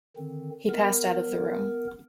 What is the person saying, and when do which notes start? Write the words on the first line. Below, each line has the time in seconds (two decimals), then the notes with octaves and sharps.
He passed out of the room.
0.17 D3 D#3 C4
0.69 B3 A#4